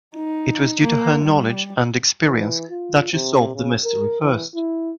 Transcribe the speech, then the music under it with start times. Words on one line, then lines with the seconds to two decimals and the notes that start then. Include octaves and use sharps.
It was due to her knowledge and experience that she solved the mystery first.
0.15 D#4
0.82 A#3
1.24 G3
2.25 E3
2.70 F4
3.12 C3
3.55 C#3
3.84 A#4
4.22 E3
4.55 E4